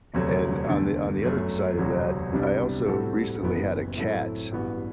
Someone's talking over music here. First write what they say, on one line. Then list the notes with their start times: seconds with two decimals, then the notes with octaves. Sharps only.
and on the on the other side of that, I also recently had a cat,
0.14 E1 D2 C3 F#3 A3
0.68 E2 D3 A3 D4
1.23 G1 F#2 F#3 A3
1.77 E1 D2 C3 F#3 C4
2.32 C2 C3 G3 B3 D4
2.87 A2 G3 C4 F#4 A4
3.42 F#1 F#2 E3 B3
3.97 A2 F#3 C4 E4 A4
4.51 A1 G2 E3 B3 F#4